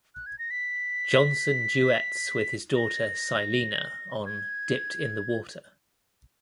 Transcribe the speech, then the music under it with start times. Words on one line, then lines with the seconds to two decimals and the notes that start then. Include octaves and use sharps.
Johnson duets with his daughter Syleena on "Dipped in the Water".
0.15 F#6
0.26 G#6
0.39 A#6
0.51 B6
2.76 A#6
4.26 G#6